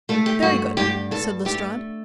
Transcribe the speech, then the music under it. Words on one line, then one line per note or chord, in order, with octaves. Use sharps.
"Very good," said Lestrade.
A3 A4
G4
G2 F#4
G2 G4
G2 A4
A3 G4